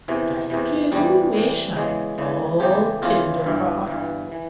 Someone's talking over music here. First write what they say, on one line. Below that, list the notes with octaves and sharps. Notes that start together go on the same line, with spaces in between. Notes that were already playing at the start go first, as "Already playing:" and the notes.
But I do wish my old tinder-box.
E2 C3 E3
E2 C3 E3
E2 C3 E3 G3
E2 C3 E3
E2 C#3 E3 G#3
E2 C#3 E3
E2 C#3 E3 G4
E2 C#3 E3 F4
G1 G2 E3
G1 G2 E3
E3